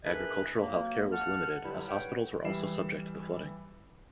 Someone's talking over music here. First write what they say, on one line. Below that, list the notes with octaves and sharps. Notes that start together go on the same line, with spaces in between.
Agricultural Healthcare was limited as hospitals were also subject to the flooding.
E3 D4 G#4 A#4 B4
F#3 A#3
F#5 A5 F6
G2 D3 F#3 G3 E4
B4 C#5 F#5 G5
E3 G3 E4 B4 C7 E7